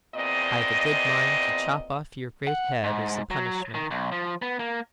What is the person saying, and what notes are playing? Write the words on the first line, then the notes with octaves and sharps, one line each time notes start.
I've a good mind to chop off your great head as a punishment.'
E2 A#2 C4 D5 D#5
F#5
G#2
F#3
D#3
B1
F3
B3
A#3